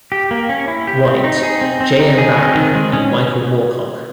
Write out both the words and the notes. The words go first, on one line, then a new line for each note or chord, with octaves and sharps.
White, J. M. Barrie, and Michael Moorcock.
G4
A#3
C#4
E4
G4
C4
D#4
G#4
C4
C4
D#4
G#4
C4
D#3
G#3
C#4